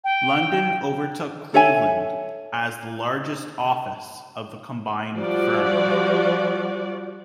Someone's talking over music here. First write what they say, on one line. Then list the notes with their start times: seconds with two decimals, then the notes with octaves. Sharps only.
London overtook Cleveland as the largest office of the combined firm.
0.04 G5
1.54 A4 C#5 E5 G#5
5.15 F3 G3 F#4 D5